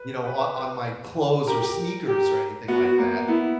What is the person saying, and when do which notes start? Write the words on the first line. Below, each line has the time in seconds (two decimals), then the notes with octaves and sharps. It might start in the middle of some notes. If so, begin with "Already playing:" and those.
you know, o on my clothes or sneakers or anything like that-
Already playing: B4
0.26 B4
0.56 B4
1.47 G4 A#4
2.07 G4
2.68 B3 F#4
2.98 A#3
3.28 B3 E4